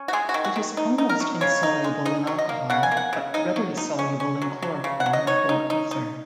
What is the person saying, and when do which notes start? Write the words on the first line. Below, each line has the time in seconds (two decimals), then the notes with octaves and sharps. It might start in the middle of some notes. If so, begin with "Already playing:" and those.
It is almost insoluble in alcohol but readily soluble in chloroform or ether.
Already playing: C#4
0.08 F#4
0.13 G#3 G#4
0.29 F#4
0.34 D#3
0.44 F#4
0.56 D#3
0.77 D#4
0.98 D#4
1.09 A#4
1.20 F#3
1.41 C#3 C#5
1.63 D#4
1.84 G#3
2.05 D#4 D#5
2.27 F#3
2.38 D#5
2.49 A#3
2.70 C#3 F#5
2.83 G#5
2.91 A#3
2.97 F#5
3.13 C#3
3.34 D#4 D#5
3.56 F#3
3.77 D#4
3.99 C#4
4.20 C#4
4.42 F#3
4.62 F#3
4.84 C#3
5.00 F#5
5.06 F#3
5.13 D#5
5.27 D#4 C#5
5.49 D#4
5.70 D#4
5.91 D#4